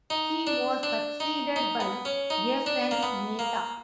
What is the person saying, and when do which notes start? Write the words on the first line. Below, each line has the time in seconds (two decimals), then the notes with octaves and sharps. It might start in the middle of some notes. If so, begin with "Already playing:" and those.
He was succeeded by S. N. Mehta.
0.10 D#4
0.47 D4
0.83 D4
1.20 D#4
1.56 D#4
1.80 B3
2.05 C#4
2.30 D#4
2.66 D4
2.91 A#3
3.03 B3
3.39 A#3